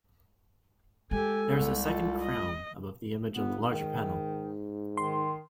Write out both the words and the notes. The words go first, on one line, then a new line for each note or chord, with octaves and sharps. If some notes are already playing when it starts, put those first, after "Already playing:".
There is a second crown above the image, on the larger panel.
G#3 G4 A4 G#5
C2 B3
F4 A4
D#5
G1 B3
G#2 D#3
D#3 C6